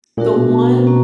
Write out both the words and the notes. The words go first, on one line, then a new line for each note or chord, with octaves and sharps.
the one
A#2 A3 D4 F#4 A#4
B2
A#3 C#4 F#4